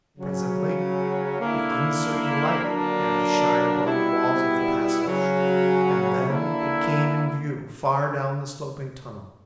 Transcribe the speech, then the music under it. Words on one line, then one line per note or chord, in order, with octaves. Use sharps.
Presently the uncertain light began to shine upon the walls of the passage, and then it came in view far down the sloping tunnel.
C#3 F#3 C#4
D3 A#3 E4
D3 F#3 A#3 D4
B2 G3 B3 E4
C#3 F#3 C#4
D3 A#3 E4